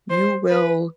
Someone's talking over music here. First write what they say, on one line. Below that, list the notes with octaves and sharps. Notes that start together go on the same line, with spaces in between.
you will
C5
B4